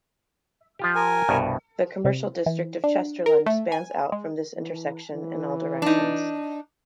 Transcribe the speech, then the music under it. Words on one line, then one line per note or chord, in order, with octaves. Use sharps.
The commercial district of Chesterland spans out from this intersection in all directions.
F3 F4 G4
A#4 G#5
C2 G2 B2
C3
E3
D4
A#4
A3
G#5
G#3
E3
E3
D4 D#4